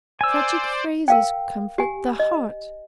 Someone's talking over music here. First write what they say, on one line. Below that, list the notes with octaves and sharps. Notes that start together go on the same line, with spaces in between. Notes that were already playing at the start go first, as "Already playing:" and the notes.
Tragic phrases comfort the heart....
C5 D5 G#5 E6
A#4 F5 G5
G4 G#5
D#5